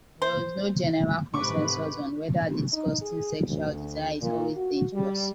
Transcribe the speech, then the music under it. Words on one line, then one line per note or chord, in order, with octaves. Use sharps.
There was no general consensus on whether disgusting sexual desire is always dangerous.
C5
G#2 C3 A3 B4 B5 C#6 D6
D#4
G#4
D2
A#2
F#4
G3